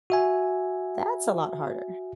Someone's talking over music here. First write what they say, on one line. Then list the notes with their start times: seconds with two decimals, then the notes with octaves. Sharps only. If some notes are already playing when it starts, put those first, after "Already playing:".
That's a lot harder.
0.10 F#4 E5 G#5